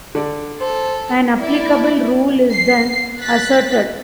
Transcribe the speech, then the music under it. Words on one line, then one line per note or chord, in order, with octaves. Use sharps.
An applicable rule is then asserted.
D3 D5
A4 C5
E4 D5
C7
F#6 A6 B6